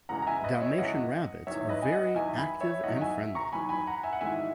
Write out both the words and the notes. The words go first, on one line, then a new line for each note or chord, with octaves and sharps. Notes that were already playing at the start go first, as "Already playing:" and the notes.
Dalmatian rabbits are very active and friendly.
E2 C#3 G#3 F#5 A#5
A#5
E5 G#5
B4 D#5
C#5 E5
E2 C#3 G#3 D#5 F#5
E2 D#3 F#3 C#5 E5
B4 D#5
G#5
D#5 F#5
E2 D#3 F#3 E5 G#5
G#5 B5
C#5 E5
E2 D#3 F#3 D#5 F#5
E5 G#5
A#5 C#6
E2 D#3 F#3 G#5 B5
G#5 B5
F#5 A#5
E5 G#5
F#5
G#1 G#2 E3 G#3 E5 G#5